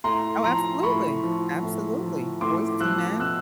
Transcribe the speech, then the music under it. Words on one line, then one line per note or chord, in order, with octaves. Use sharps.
Oh, absolutely, absolutely, Boyz II Men.
A2 A#5 C6
F3 A#5 C6
A2 B5 C#6
F3
A2
F3
A2 C6 D6
F3 E6 F#6
B2 E6 F#6